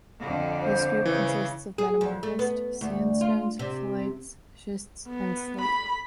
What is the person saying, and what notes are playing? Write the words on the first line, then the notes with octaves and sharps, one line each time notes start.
This group consists of metamorphosed sandstones, phyllites, schists, and slate.
F2 D3
C5
C#3 E3
G#4
F2
A3
B3
D2
F4
C3
B3
B5